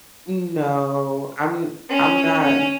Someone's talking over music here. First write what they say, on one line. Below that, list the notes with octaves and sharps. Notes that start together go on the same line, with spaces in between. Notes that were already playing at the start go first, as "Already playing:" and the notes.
No, I'm I'm not
C#4
C#4